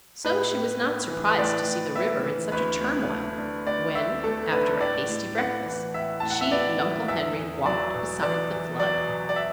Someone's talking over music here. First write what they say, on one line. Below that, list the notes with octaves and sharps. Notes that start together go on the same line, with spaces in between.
So she was not surprised to see the river in such a turmoil when, after a hasty breakfast, she and Uncle Henry walked beside the flood.
A2 B4
A2
B3
E3
B4
A2 D5
A2
B3 E5
E3
D2 B4
D2
A3
D3
D2 D5
D2 E5
A3 A4
D3 B4
A2 D5
A2
B3 F#5
E3
A2 E5
A2 A5
F#5
E5
B3 D5
E3
E2 E5
E2
F#3 D5
B2
E2 D5
E2
F#3 D5
B2
D5
E5